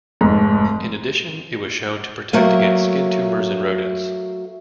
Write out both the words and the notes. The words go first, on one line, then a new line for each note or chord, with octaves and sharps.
In addition, it was shown to protect against skin tumors in rodents.
F1 G#2
F#3 A3 A#3